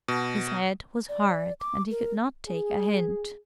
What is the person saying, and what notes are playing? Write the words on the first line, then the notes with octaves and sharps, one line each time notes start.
His head was hard and he could not take a hint.
B2
D5
D6
A#4
G#4